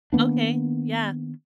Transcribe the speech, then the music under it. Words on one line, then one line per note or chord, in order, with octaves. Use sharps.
Okay, yeah.
D#3 A#3 B3 D4